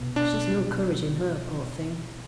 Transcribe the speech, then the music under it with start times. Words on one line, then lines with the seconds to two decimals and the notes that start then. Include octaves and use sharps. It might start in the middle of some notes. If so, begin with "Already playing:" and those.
She's no courage in her, poor thing!'
Already playing: C2 B2 B3
0.16 D4